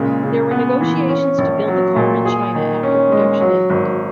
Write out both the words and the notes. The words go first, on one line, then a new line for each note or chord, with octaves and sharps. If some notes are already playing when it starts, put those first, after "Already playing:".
There were negotiations to build the car in China after production ended.
Already playing: A#2 C#3 G#3
C#3
B3
E3
C#4
A#1
F#3
A#2
G#4
D#3
C#4
G#3
F#3
G#1